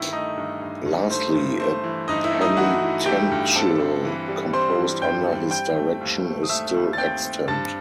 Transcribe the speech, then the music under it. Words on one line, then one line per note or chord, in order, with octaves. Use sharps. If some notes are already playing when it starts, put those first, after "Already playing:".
Lastly, a penitential composed under his direction is still extant.
Already playing: G2 D#3 E4 E5
A3 D#4 D#5
G2
G2
G2
A3 C5
G2
A3 C5
E3
G2 D#4 D#5
E4 E5
A3
D#4 D#5
E3 F#4 F#5
E3
A3 G4 G5
G2
C4 A4 A5
C4
E3
G3
C4 C5 C6
E3
G2 G5 G6
G3
C4 G5 G6
A3
D#2
A3
D#6
A3 E5 E6
D#2
A6
C4 G5 G6
C4
G2 A5 A6